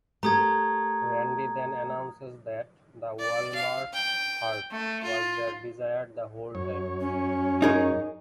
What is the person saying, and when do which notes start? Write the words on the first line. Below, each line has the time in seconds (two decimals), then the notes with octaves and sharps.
Randy then announces that the Wall-Mart's "heart" was their desires the whole time.
0.23 A3 G4 A#4 A#5 D#6 G#6
3.20 D5
3.55 F5
3.93 G5
4.71 A3
5.04 F4
6.55 F#2 C#5
7.00 C#4
7.62 D#4 G#4 A#4